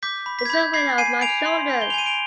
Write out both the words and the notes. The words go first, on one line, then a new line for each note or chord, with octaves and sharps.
It's a weight off my shoulders.
D6 G6 B6
B5
B6
G#6
B5 G6
G#6
B5 G#6 C7
G#5 C7 D#7
G#5 D7 F7
C6
G6
G7
F7
G#5 D#7
D7 F7